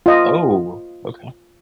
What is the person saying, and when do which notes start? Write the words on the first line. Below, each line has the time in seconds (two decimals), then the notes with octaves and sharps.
Oh, okay.
0.06 F4 D#5